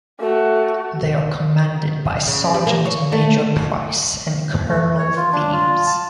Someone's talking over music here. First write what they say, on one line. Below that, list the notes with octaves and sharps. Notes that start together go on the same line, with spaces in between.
They are commanded by Sergeant Major Price and Colonel Themes.
A3 F#4
C#3
G3
A#3
C#5
A3
A3
C#5
F4
D4
F4
A5